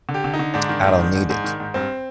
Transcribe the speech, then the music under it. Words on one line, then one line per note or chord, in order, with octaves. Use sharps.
I don't need it.
D3
G4
D3
D#4
D3
G#2 D4
D#3
G#2
D#3
G#2
G#2
D#3
G#2
G2 C4